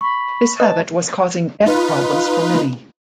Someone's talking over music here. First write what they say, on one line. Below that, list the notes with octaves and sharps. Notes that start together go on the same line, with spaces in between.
This habit was causing debt problems for many.
B5 C#6
B4 D#5 A5
D#4 F4 B4